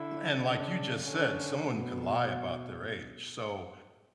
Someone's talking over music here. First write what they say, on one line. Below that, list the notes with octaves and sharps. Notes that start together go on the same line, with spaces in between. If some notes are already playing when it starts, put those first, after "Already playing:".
Eh, and like you just said, someone could lie about their age, so
Already playing: D3 E4
C#3 D4
D3 C#4
B2 B3